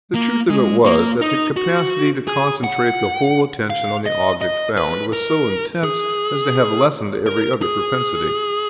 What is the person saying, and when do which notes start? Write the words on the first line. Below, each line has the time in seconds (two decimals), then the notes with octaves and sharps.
The truth of it was that the capacity to concentrate the whole attention on the object found was so intense as to have lessened every other propensity.
0.14 A#3
0.50 G#3
0.85 A#3
1.21 D#4
1.57 F#4
2.28 G#4
2.64 F#5
3.70 F5
4.06 D#5
4.41 D#5
4.77 B4
5.13 A#4
5.84 G#4
7.26 A#4
7.62 G#4